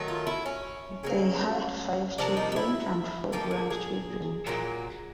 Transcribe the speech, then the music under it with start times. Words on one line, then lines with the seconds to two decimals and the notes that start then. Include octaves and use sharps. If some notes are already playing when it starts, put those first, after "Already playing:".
They had five children and four grandchildren.
Already playing: D#3 F#3 A3
0.08 F4
0.27 E4
0.46 C#4
1.03 C#3 F#3 A#3
2.18 C3 F3 A#3 D4
2.37 D#4
2.52 D#4
2.56 E4
3.32 D3 F3 A#3 G4
3.51 G#4
3.70 G#4
4.47 A#2 F#3 A#3